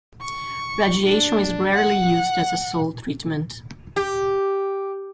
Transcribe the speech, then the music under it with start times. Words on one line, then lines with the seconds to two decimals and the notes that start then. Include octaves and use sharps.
Radiation is rarely used as a sole treatment.
0.21 C#6
1.05 D4
1.75 F#5
3.96 G4